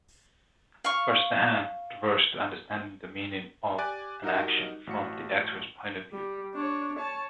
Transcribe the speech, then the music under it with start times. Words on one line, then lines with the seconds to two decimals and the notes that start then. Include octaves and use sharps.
"Verstehen" refers to understanding the meaning of action from the actor's point of view.
0.84 F5 C#6
3.78 G4 D5 G#5 F#6 D7
4.23 G3 D#4 F#4 A#4 D#5
4.87 A1 F#4 C#7
6.13 G3
6.55 D4 C#5
6.96 C#5 A5